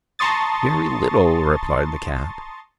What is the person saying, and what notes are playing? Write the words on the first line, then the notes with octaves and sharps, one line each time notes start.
"Very little," replied the cat.
A5 A#5 C6 C#6 D#6 A6